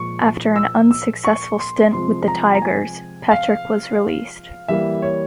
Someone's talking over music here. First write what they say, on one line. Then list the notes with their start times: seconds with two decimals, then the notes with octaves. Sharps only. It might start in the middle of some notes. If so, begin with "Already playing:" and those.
After an unsuccessful stint with the Tigers, Petrick was released.
Already playing: A#2 F3 G#3 C#6
0.56 E6
0.91 E6
1.25 C#6
1.59 C6
1.93 C3 F3 G#3 C6
2.28 A#5
2.55 A#5
2.62 G#5
3.31 F5
4.68 E3 G3 A#3 E5
5.02 C#5